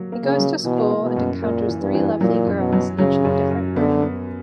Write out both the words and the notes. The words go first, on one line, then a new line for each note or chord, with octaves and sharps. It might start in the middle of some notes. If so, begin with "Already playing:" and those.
He goes to school and encounters three lovely girls, each in a different room.
Already playing: F#3 A#3
A#3
C#3
F#3
B2 E3
A#3
B2
F#2
A#2 A#3
E3
G2
E3
A#2 F#3
F#2
B2
F#3
C#3 F#3
F#2
F#2
D3 B3
B3